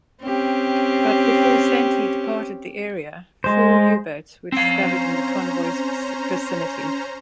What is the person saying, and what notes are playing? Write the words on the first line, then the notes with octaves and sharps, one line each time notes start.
But before "Santee" departed the area, four U-boats were discovered in the convoy's vicinity.
C4 C#4 G4
G#3 C5
C4 C#4 C5 F5 A#5